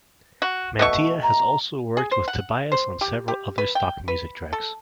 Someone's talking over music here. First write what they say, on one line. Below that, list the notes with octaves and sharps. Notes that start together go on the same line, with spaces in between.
Mantia has also worked with Tobias on several other stock music tracks.
F#4
B2 A3 C#6
A#5
G#4
C5
F#5
C5
G4
G4
B4
G5
B4
A4